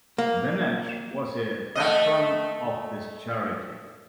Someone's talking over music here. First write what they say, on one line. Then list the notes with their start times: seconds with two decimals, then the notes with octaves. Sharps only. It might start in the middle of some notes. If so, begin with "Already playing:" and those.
Bennett was a patron of this charity.
0.18 A#3
1.75 A3 D#5